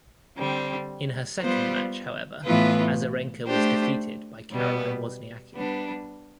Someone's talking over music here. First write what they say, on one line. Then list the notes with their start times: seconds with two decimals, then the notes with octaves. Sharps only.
In her second match, however, Azarenka was defeated by Caroline Wozniacki.
0.37 D3 G3 C4
1.40 G3 B3 F4 C5
2.44 A2 E3 B3 F4 B4
3.47 A3 D4 G4 C5
4.51 B2 G3 B3
5.54 G3 B3 D4